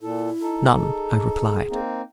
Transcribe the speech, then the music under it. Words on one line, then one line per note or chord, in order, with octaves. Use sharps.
"None," I replied.
A#2 E4 A4
D#4 A4
G#4
A#3 C4 D#4